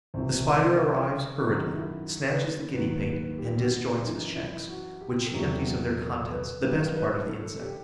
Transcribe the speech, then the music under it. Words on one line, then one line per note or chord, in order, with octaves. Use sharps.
The Spider arrives hurriedly, snatches the giddy-pate and disjoints his shanks, which she empties of their contents, the best part of the insect.
C2 C3 E3 C4
F#2 D#3 F#3 D#4
E4
B4
D#2 D#3 F#3 B4
B4
G4
F#4
F#2 E3 D#4
E4
F#4
G4
A4
E2 C3 F#3 G4
A4
B4
G2 D#3 F#3 B4
B4
A4
G4